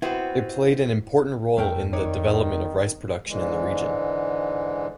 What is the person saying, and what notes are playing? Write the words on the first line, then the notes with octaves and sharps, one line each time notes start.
It played an important role in the development of rice production in the region.
B3 C4 E4 F#4
F2 A3 A#4 G5
D#3 D#4 C#5 D5
G#2 D3 E3 G#3